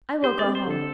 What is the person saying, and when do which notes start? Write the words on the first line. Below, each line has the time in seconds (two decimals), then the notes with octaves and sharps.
"I will go home."
0.23 G4 C5
0.39 C4 D5
0.55 C5
0.66 D3 A4